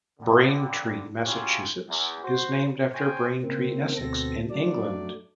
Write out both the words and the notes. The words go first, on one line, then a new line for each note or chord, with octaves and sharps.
Braintree, Massachusetts is named after Braintree, Essex in England.
F2 D3
C#3 F#3 C#4 E4 F4 G4
E2
F#4 C5
C5 C#5 G5 G#5
C#3 A#3 C4
D2 B2 C4 A4 A#6
F#3 A3 D4 D5